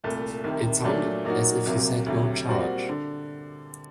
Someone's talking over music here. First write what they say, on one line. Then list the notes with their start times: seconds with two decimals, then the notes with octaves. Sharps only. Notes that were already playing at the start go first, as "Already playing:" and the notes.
It sounded as if you said no charge.
0.04 C2 A#2 A3
0.44 C2 C3 D#3
0.84 A#2 F#3 A3 D4
1.25 A#2 F#3 A#3 D#4 F#4
1.65 C2 C3 F#3 A#3
2.06 D2 C3 F#3
2.47 A#2 G3 C4 F#4
2.89 D3